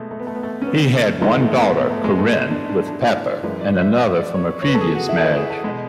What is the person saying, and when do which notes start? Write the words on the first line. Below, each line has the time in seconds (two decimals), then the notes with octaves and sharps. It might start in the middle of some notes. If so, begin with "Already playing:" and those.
He had one daughter, Corinne, with Pepper, and another from a previous marriage.
Already playing: B2 G#3 A3
0.11 A3
0.19 B3
0.27 A3
0.35 B3
0.43 A3
0.62 C#4
0.67 B3
0.94 A3
1.21 G#2 E3 G#3 A3
1.41 A3
1.59 B3
1.77 B3
1.91 A3
2.04 G#3
2.19 A3
2.32 B3
2.51 D4
2.69 D4
2.88 D4
3.01 E4
3.15 D5
3.29 D5
3.43 F#2 E3 G#3 B4
3.61 D5
3.80 E5
3.98 E5
4.17 D5
4.35 C#5
4.62 C#5
4.67 B4
4.75 A4
4.81 G#4
4.95 F#4
5.09 E4
5.17 A4
5.23 B4
5.37 G#4
5.50 A4
5.64 B2 G#3